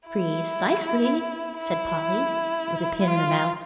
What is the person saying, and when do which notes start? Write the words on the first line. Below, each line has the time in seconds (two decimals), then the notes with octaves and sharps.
"Pre-cisely," said Polly, with a pin in her mouth.
0.09 E4
1.58 E4
3.08 F4